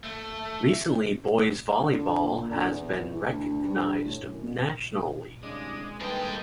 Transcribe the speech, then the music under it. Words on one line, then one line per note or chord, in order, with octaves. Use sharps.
Recently, boys' volleyball has been recognized nationally.
A3
D3
D3
A#2
D3
E2
E3
D2
D2
G2
A2
F#2
C2 C#3 G#3 D4 D#6
G2 D#3 A#3 D#4 A4 B4 G5